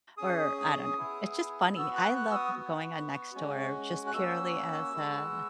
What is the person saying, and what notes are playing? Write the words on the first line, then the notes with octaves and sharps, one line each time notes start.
or I don't know, it's just funny. I love going on Nextdoor just purely as a
C#4 G#4 D#6
B3 E4 G#4
B3 F#4 E6
F#6
F#6
E6
D#6
B3 F#4
G#3 C#4 F#4
F#6
A#3 C#4 F#4 E6
G#3 B3 F#4